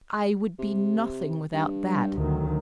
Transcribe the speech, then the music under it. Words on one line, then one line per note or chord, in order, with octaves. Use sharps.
I would be nothing without that.
C3
G2
G3
D2 D#3 F#3